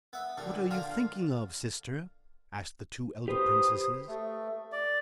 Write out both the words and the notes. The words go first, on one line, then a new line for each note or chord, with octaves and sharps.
"What are you thinking of, sister?" asked the two elder princesses.
B3 E5
A#2 D3 G3
D3 F3 F4 A#4
G4 B4 C5 D#6
A3
D5